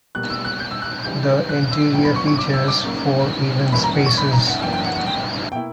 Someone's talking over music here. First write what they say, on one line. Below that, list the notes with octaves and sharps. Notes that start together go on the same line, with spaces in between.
The interior features four event spaces.
B2 G3 A#3 F#6
E6
F#6
G6
E6
F#6
C#3 E3 G3 G6
F#6
E6
G2 F#3 B3 E4 G5
B5
C#6
C#6
D6
E6
D6
C#3 F#3 A#3 C#4
G2 E3 A#3 C#4 E4 B5
A#5
F#5
C#6
B5
A#5
F#5
F#2 E3 A#3 D4 G5
G5
F#5
F#5
G5
B2 A#3 E4 G5